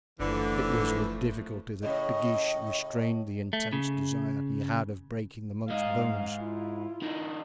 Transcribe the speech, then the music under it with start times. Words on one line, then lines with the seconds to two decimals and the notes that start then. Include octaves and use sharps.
It was with difficulty that De Guiche restrained the intense desire he had of breaking the monk's bones.
0.20 F#1 D3 E3 F3 A3
1.83 A2 C#3 D#5
3.53 A3
3.73 C#3
5.70 G#2 D#5 F5
6.39 E4 F4
7.02 D3 D#4